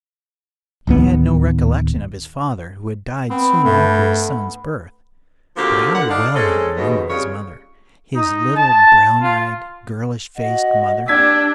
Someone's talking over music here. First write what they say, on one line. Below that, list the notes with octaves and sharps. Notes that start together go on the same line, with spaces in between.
He had no recollection of his father, who had died soon after his son's birth, but how well he remembered his mother, his little, brown-eyed, girlish-faced mother!
D1 D#2 B3
B3 C4
G2 A3
D2 F3 A#3 C4 G4 A#4
D3 F#5
D4 D#4 D5 F5
G#3 C4 C#4 A4
D#2 G#2 B2
F2 C#3 G3 F4 C#5
D#4
A5
F4
F#4 D#5 F#5
D4 G4 D5 E6 G#6 B6